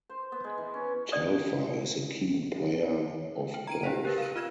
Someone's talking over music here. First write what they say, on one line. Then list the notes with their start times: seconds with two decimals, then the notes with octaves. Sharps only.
Telfer is a keen player of golf.
0.10 C5
0.32 B3
0.44 G#3
0.58 E3
0.74 C#4
1.12 D5 D#6
3.54 G5
3.67 A#5 D7 D#7
3.84 G4 B4 C5
4.05 G4 A#4 B4
4.18 F5 D#7
4.36 F4 F6 G#6 E7